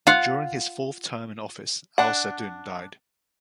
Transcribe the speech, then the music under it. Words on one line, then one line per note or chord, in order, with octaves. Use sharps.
During his fourth term in office, Al-Sa'dun died.
F4 F5 F#5
D4 F#5